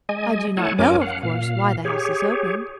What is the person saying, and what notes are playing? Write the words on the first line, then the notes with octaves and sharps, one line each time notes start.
I do not know, of course, why the house is open.
G#3 D#5 G#5
A3 E4 C#5 F#5 G#5 A5
F#2 F#3 C#4 A#4 G#5 D6
F5 F#5
A#2 F5
G4 G#4 C#5